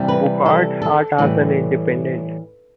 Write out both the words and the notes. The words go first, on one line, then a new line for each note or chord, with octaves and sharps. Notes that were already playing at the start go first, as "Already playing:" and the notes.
Bouchard sat as an independent.
Already playing: C3 E3 G3 C4
B4
A4
A4
A2 E3 G3 B4